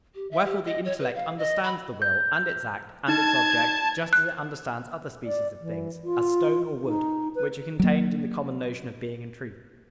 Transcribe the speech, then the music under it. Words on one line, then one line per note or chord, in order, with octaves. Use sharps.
Wherefore the intellect understands the will, and its act, and its object, just as it understands other species of things, as stone or wood, which are contained in the common notion of being and truth.
G4
E5
G4
D#5
C#5
B4
F5
D#5
B5
G6
D#4 A5 G#6
F#6
D5
E3
F4
D#4
B4
F#3 A#3